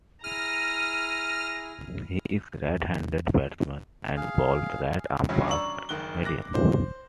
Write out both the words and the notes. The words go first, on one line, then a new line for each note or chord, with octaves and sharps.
He is a right-handed batsman, and bowls right-arm fast-medium.
E4 G#4 A#5 F6 D#7
E2
G#4 F5
E2 G2 C#3 F#3
D5 A#5 C#6 E6 F#7
F#1 D#3 F#6 G7
D6 F#6 A#6
C5